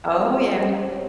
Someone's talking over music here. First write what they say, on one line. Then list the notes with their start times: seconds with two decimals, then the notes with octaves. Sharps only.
Oh, yeah.
0.18 G#3 C4 F4 A#4
0.55 G3 C#4 G4 C5 D#5
0.92 C4 G4 C#5